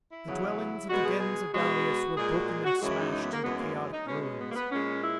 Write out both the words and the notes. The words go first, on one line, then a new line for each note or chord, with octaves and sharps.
The dwellings of the Gens of Dalis were broken and smashed into chaotic ruins.
E4
E2 C#3 F#3
B2 G#3 F#4
G#4
G#4
B2 G#3 F#4
A#2 G#3 G#4
F#4
G#4
F#4
F#2 C#3 E3 G#3 F#4
E4
D#4
D#4
B3
A#3
F#2 E3 G#3 B3
A#3
D#4
B2 G#3 C#4
C#4
B3
A#3
B3
A#2 G#3 C#4
E4